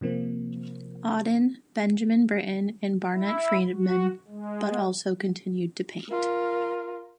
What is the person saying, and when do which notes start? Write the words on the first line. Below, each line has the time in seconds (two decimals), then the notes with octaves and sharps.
Auden, Benjamin Britten and Barnett Freedman but also continued to paint.
0.01 C3 F3 A#3 C4
3.14 E4
3.74 F#4
4.28 G#3
6.09 F4 A#4